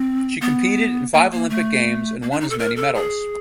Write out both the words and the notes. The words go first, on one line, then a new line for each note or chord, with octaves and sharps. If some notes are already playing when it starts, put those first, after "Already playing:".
She competed in five Olympic Games and won as many medals.
Already playing: C4
B3
A#3
A#3
A3
A#3
D4
D#4
A4
A#4
A4
G#4